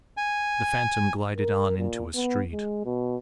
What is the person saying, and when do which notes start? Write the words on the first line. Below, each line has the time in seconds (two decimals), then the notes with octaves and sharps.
The Phantom glided on into a street.
0.17 G#5
1.38 A#4
1.78 A#2
2.15 B3
2.53 G#3
2.85 B2